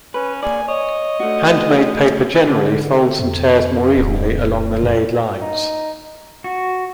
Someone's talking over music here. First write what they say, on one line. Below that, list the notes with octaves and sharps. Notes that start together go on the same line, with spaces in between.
Handmade paper generally folds and tears more evenly along the laid lines.
C#4 B4
A#3 G#4 D5 G#5
C#5 D#5
A3 F#4
D3
F2
D1
F2
D#4
F#4